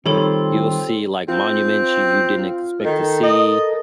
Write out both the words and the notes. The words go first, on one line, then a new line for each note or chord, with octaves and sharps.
you'll see, like, monuments you you didn't expect to see,
D#3 G3 C4 F4 A4 C#5 B5
C4 F4
D#3 A4 A#4
D#5